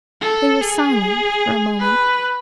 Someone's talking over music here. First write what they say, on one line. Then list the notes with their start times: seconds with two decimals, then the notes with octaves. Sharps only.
They were silent for a moment.
0.21 A4
0.61 G#4
1.79 B4